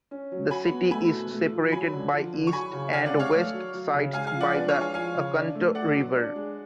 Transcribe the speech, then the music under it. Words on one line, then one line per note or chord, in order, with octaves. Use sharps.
The city is separated by east and west sides by the Oconto River.
C#4
F#3
F#4 G#5 B5
B3
A3 G#5 B5
B2
A3
F3
F#3 G#5 B5
D3
F3
D3
C#6
F#3 G#5 B5
C#3
D4 F5 G#5
D5 F#5
G#3
C#5 F5
A3
F#3
F#3
C#3
G#3 F5 G#5
F5 G#5
F3
D5 F#5
D4 B4 D5
C#5 F5
G#3
F5 G#5
F3 F5 G#5
C#3
D4
A3
A3 D5 F#5
F#3
D4
G#3